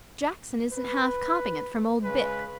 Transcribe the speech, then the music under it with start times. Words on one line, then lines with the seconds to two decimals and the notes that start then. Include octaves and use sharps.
'Jackson isn't half copping it from old Bick.'
0.73 B4
2.03 C#3 G#3 B4